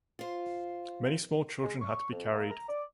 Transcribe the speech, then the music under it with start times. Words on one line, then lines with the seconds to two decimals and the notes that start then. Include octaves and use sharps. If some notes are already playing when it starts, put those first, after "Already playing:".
Many small children had to be carried.
0.19 F4 C5
1.63 G#3
1.80 C#6
2.11 F2
2.31 A#3
2.50 A#5
2.68 D5